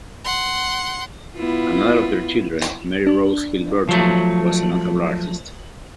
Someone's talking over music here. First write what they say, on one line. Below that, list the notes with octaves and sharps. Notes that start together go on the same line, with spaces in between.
Another of their children, Mary Rose Hill Burton, was a notable artist.
F#5 C6
B3 E4 F4
D4
F3 F#3 A3